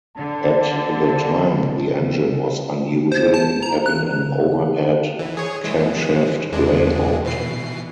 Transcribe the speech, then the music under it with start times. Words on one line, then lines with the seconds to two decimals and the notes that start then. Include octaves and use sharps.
At the time the engine was unusual in having an overhead camshaft layout.
0.16 D3 A5
3.12 C5
3.34 A5
3.62 A#5
3.86 F#6
5.19 E3
5.37 G#4 C#5
5.64 E3 G#3
6.52 E2 G#3 D4
7.24 B2 E3 C7